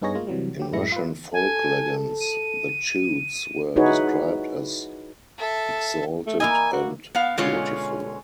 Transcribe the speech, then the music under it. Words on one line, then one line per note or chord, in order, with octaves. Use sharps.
In Russian folk legends, the Chudes were described as exalted and beautiful.
G2 B3 D#4 G#4 C#5 A#6
G#3 A#3 F4
C3 E3 F#3 G3
D3 F#3 G4
F#2 A2 G#3 E4 A#6 C#7
F4 B4
A4 G#5
D#7
D#4 E4 F#4 G#4 B4 C#5
A4 E5
A3
A#3 E4 D#5 G#5
F#4
B3 F5
B2 D3 G#3 C#4 F4 C#5